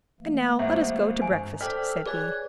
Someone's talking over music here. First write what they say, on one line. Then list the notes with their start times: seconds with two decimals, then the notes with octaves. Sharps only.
"And now let us go to breakfast," said he.
0.20 E3 A3 A#3
0.59 G#1 E5 F#5
1.22 G2 G#5
1.61 A4 C5 D5 G5 D6 E6 F6 B6
2.06 G#4 B4 C#5 D5 G#5 F#6 G#6